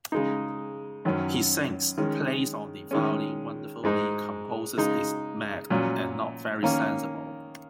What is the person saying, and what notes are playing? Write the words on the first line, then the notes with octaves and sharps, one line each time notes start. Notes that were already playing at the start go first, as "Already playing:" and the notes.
He sings, plays on the violin wonderfully, composes, is mad, and not very sensible.
C#3 G#3 D#4
F#2 D#3 F#3 C#4
D#3 G#3 C#4
D#3 G#3 C#4
G#2 G#3 D#4
C#3 G#3 D#4
A#2 F#3 C#4
D#3 A#3 C#4